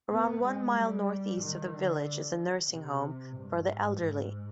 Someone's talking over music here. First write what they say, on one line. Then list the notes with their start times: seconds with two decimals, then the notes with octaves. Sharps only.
Around one mile north-east of the village is a nursing home for the elderly.
0.11 B3
0.44 G#3
0.76 G3
1.41 D#3
1.74 D3
2.72 C3
3.37 G2
3.69 G#2
4.02 G#2